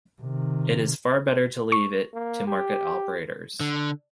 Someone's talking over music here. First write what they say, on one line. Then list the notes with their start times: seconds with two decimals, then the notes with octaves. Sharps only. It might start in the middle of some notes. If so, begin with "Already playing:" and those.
It is far better to leave it to market operators.
0.22 C3 D#3
1.72 C#6
2.14 A#3
2.47 G4
3.60 D3